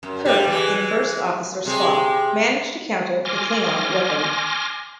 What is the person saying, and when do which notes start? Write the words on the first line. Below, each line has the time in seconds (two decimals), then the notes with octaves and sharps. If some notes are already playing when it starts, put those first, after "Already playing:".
Kirk and First Officer Spock manage to counter the Klingon weapon.
0.03 F#2
0.25 G2 G3
0.47 E3 G#3
1.65 C3 G#3
3.25 G#5 C6 D6 F6 A#6